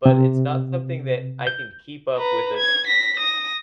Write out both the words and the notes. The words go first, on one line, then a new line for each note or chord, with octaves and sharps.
but it's not something that I can keep up with a
C3
G6
B4 A#5
G#6
A#6 B6
D#6 A#6